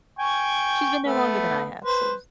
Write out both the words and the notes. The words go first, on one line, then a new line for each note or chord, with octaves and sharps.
she's been there longer than I have, so s
G5 G#5 C#6
A3 B3
B4 C5